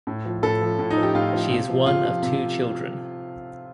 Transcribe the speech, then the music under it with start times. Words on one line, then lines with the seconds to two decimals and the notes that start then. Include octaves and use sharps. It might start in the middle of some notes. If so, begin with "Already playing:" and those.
She is one of two children.
0.07 A2
0.25 F3
0.43 A2 A4
0.61 F3
0.79 A2
0.90 D#4
0.97 F3
1.03 G4
1.15 A2 F4
1.33 F3
1.51 C3
1.69 F3
1.86 C3 F4
2.05 F3
2.23 C3